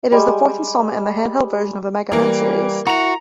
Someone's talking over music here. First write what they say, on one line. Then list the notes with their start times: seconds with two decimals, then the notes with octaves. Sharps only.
It is the fourth installment in the handheld version of the "Mega Man" series.
0.12 G3 G#3 G#5
2.12 E3 G3 A#3 A#4
2.87 E4 F#4 A#5 C#7 F7